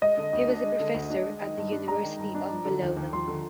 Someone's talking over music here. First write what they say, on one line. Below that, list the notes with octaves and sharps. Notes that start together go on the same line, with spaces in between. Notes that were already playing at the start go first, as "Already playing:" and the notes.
He was a professor at the University of Bologna.
G#3 D#5
D3
D2
D4
G#3
D3
D2
D4
G#3
D#3
G2
D4
G#3 A#5
D#3
G2
D4
F3
D3
D#2
D#2
F3 C6
D3